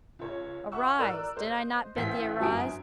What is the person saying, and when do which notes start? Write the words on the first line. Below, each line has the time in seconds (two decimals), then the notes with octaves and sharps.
"Arise! did I not bid thee arise?"
0.19 C#2 C#5
0.72 E5 F#5 C#6 E6
0.99 A#4 D5 E6 F#6
1.37 C5 D#5
1.96 A1 E3 C5 F5 G5 B6
2.39 G1 F#2 F#3 G#5 D#6 D7